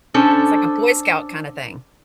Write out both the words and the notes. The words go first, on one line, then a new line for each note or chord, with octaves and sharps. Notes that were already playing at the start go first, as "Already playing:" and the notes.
It's like a Boy Scout kinda thing.
C#4 D4 A4 C5